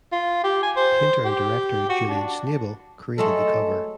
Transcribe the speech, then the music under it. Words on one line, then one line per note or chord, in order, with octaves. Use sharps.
Painter and director Julian Schnabel created the cover.
F4
G4
G#5
C5
G4
F#4
D4
F#3 G#3 A3 A4